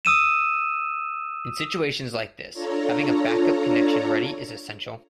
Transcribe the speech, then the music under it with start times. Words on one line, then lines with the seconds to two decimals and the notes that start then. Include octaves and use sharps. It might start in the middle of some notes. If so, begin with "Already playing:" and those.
In situations like this, having a backup connection ready is essential.
0.05 D#6 E6 D#7 E7
2.53 D4 F4 A4 C#5 A#5